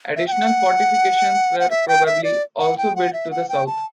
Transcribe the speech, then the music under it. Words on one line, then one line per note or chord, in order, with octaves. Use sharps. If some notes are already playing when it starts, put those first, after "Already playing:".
Additional fortifications were probably also built to the south.
E5
G5
F#5
F#5
E5
G5
E5
D5
F#5
G5
F#5
E5
F#5
G5
A5